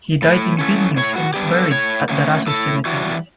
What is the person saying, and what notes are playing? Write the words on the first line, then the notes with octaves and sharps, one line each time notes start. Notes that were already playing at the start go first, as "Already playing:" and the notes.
He died in Vilnius and is buried at the Rasos Cemetery.
A2
E3 A3 C#4
A2 C#5
F#4
G3 B3 D4 G4
A4
A2 C#5
F#3 A3 C#4
A2 A4
E3 G3 D4 F#4